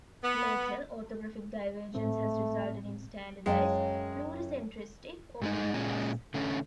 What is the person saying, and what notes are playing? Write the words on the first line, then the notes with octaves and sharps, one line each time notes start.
Later orthographic divergence has resulted in standardised pluricentristic orthographies.
B3
A2 A3 C4
F#2 C#3 G#3 G5 A5
G2 G#3 D#4
A#2 G#3 C#4
D3 A3 C#4